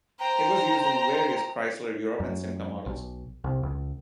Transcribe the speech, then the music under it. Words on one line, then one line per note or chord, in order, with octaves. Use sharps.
It was used in various Chrysler Europe and Simca models.
C5 G5 A#5
F#2
B1
C2
C#2